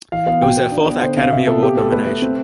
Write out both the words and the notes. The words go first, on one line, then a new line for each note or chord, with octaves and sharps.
It was her fourth Academy Award nomination.
E3 F5
B3 F5
B2 G5
B3
D4
B3
D3 C5
C4 F5
C3 E5
B3 A4
B3 G4
B3 A4
A3 B4
A3
C4